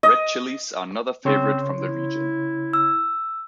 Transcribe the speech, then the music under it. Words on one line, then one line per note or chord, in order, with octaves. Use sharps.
Red chilies are another favorite from the region.
D#5
C#3 C4 C#5 C6
E4
E6